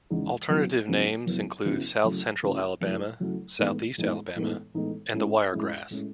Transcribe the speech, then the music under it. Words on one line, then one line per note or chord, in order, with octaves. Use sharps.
Alternative names include South Central Alabama, Southeast Alabama, and the Wiregrass.
E2 C#3 G#3 D#4
F#2 C#3 F#3 B3 E4
F#2 C#3 F#3 B3 E4
F#2 C#3 F#3 B3 E4
F#2 C#3 F#3 B3 E4
F#2 C#3 F#3 A3 E4
F#2 C#3 F#3 A3 E4
F#2 C#3 F#3 A3 E4
F#2 C#3 F#3 A3 E4
A2 E3 G#3 B3 D#4
A2 E3 G#3 B3 D#4
A2 E3 G#3 B3 D#4
A2 E3 G#3 B3 D#4
A2 G#3 C#4 E4
A2 G#3 C#4 E4
A2 G#3 C#4 E4